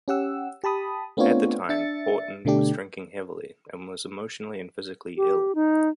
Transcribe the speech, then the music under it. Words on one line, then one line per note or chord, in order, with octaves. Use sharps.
At the time, Horton was drinking heavily and was emotionally and physically ill.
C#4 G4 F#5 E6
G4 A5 B5 D#6
A3 B3 C4 D4 F4 C#5
D4 E5 A6 C#7
B2 D3 A3 D4 G4
G4
D#4